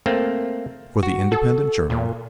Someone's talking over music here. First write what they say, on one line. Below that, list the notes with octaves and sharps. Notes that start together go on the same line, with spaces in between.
For the Independent Journal.
A3 A#3 C4
F#4
A4
A#2